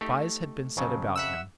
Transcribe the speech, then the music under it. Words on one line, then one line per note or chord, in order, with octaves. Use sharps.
Spies had been set about him.
A3 D#4 G4
F2 C#3 F#3
E5 F#5 E6